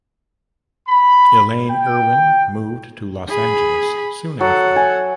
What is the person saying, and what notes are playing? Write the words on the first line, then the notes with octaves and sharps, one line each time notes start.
Elaine Irwin moved to Los Angeles soon after.
B5
G5
G#4 B5
F#3 A4 F#5
G#5